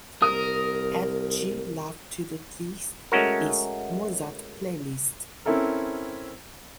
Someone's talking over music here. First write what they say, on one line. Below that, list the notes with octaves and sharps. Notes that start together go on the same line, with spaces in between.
Add g love to the This Is Mozart playlist.
C2 A#4 D#6
G#3 A3 C#4 F#4 A#4
C4 C#4 E4 A4 A#4